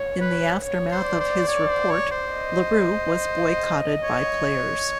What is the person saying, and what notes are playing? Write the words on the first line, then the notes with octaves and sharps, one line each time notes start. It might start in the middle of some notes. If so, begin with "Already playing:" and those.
In the aftermath of his report, Larue was boycotted by players.
Already playing: C#5
B4
C#5
C5
D5
C5
C#5
C5
C#5
C5
D#5
C#5